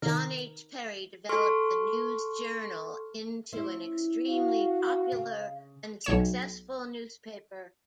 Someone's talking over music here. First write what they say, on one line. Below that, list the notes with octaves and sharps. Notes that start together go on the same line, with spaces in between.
John H. Perry developed the "News Journal" into an extremely popular and successful newspaper.
C3 D#3 A#4
A4 C6 C#6 F6
C#4 E4 C5
F#4 F5
C#3
B1 C#5 E7